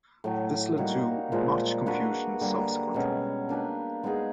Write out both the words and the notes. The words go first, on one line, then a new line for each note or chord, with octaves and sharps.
This led to much confusion subsequently.
A2 F#3 A3
G3 A#3 D#4 F#4
A#2 F3 G#3
A#3 D4 F#4 B4
D3 G3 A#3
B2 G#3 C#4
A#3 D4 G4 B4
G#3 B3 D#4 G#4